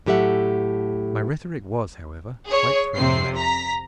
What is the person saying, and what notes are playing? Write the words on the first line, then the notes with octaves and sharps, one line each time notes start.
My rhetoric was, however, quite thrown away.
A2 F#3 G4 A4 E5 F#5
G#4 C#5
F2 C3 C4 C7
A#5 B6